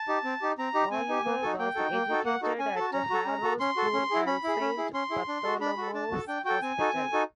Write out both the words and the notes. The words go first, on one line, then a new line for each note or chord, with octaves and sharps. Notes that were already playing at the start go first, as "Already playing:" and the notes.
Oliver was educated at Harrow School and Saint Bartholomew's Hospital.
Already playing: A5
D#4 G4
C4
D#4 G4
C4 A#5
D#4 G4
C4 G#5
D#4 G4
A#3
D#4 F#4 A4
A#3 G5
D#4 F#4 A4
A#3
D#4 F#4 A4
A#3 F#5
D#4 F#4 A4
C#4 G#5
F#4 A4 A5
C#4 A#5
F#4 A4
C#4
F#4 A4
C#4 C6
F#4 A4
C#4
E4 G#4
C#4 B5
E4 G#4
C#4
E4 G#4
C#4 C6
E4 G#4
D4
F#4 A4
D4 B5
F#4 A4
D4 A5
F#4 A4
D4 G5
F#4 A4 G5
C4 G#5
D#4 F#4 A4
C4
D#4 F#4 A4